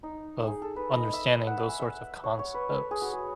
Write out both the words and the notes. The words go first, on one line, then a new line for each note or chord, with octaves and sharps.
of understanding those sorts of concepts.
D#4
G#4
A4
B4
D#5
E5
F#5
E5
G#5
E5
C#5
C#5
B4
A4
G#4
F#4
G#4